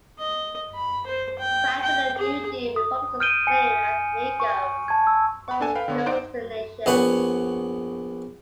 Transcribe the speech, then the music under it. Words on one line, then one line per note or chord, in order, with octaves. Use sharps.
Prior to the New Deal, Republicans claimed As Maine goes, so goes the nation.
D#5
B5
C5
G5
G5
G#4
D#6
F6 G6 D7 D#7 G7
G#5 C#7
C#6
A5 G#6
E6
B5 C#6
A#3 D4 A4 G#5
B4 F5 G5
D3 B3 C#5
D#4 C5 D5 D7
A#1 B3 C#5 F#5